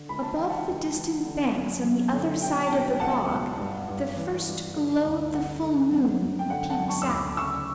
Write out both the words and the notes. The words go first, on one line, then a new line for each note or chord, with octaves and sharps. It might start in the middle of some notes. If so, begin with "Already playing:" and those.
Above the distant banks on the other side of the bog, the first glow of the full moon peeps out.
Already playing: D3
C#2 B5
A5
E3 G5
F#5 A5
C#2
E3
D3
F#2
F#2
D3
B2 G5
A5
B2 G5
C#2 F#5 A5
B2
G2
G2
E3
G2
D3
D2
D3 F#5
D3
F#2
F#2
G5
D3 F#5
F#5 A5
F#2
A5 C#6
E6
D2 B5 D6
C#3 C#6 E6